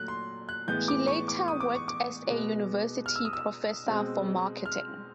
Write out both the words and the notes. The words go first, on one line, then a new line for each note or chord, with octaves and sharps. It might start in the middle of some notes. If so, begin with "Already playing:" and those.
He later worked as a University professor for Marketing.
Already playing: A#2 F#3 A3 F#6
C6
F#6
A2 E3 G#3 B3 G6
D6
C#6
D6
D#6
D6
C#6
D6
B2 G#3 B3
F6
E6
D#6
E6
B2 G#3 C4
F6